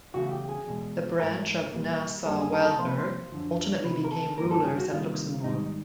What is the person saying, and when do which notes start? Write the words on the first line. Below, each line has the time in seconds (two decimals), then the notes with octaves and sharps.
The branch of Nassau-Weilburg ultimately became rulers of Luxembourg.
0.14 E2 C#3 F#3 A3 F#4
0.32 G4
0.49 G#4
0.67 E2 B2 G#3
1.20 G#2 E3 A3 A#4
1.73 A#2 G3 A#3
2.26 F#2 D3 G3 A#3 A4
2.39 G#4
2.53 A4
2.65 A4
2.79 C3 F3 A#3 C5
2.88 B4
2.98 C5
3.32 F#2 D3 F3
3.85 C3 D#3 F#3 B4
4.04 A#4
4.11 A4
4.38 G2 D#3 F#3 A#3 A#4
4.51 A4
4.65 G#4
4.78 F#4
4.91 C3 D#3 G3 A#3 F4
5.44 G#2 D#3 G3 D#4